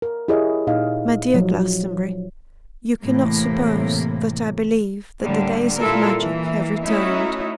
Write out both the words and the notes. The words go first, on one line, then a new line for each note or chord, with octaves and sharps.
'My dear Glastonbury, you cannot suppose that I believe that the days of magic have returned.
A#4
E4 G4 G#4 C#5 D#5
A#2 D#4 D#5 F5
F3 F#3
A2 C3 E3 A#3
A2 D3 G3 A#3
A#2 G3 E4 F4 A4 A#4
E3 A#3
A3 C#4 D#4 E4 F#4